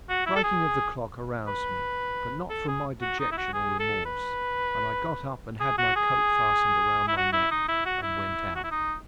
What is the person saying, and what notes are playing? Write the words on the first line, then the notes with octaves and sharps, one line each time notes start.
The striking of the clock aroused me, but not from my dejection or remorse, and I got up and had my coat fastened round my neck, and went out.
F#4
E4
A4
G#4
B4
A4
G#4
F#4
D#4
E4
F#4
G#4
A4
B4
G#4
F#4
G#4
E4
F#4
E4
D#4
E4
F#4
E4
F#4
E4
D#4